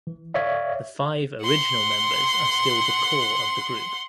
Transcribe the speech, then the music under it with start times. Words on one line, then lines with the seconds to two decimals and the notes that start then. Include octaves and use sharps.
The five original members are still the core of the group.
0.07 E3
0.34 C#5 D5 E5 F5
1.43 F#5 C6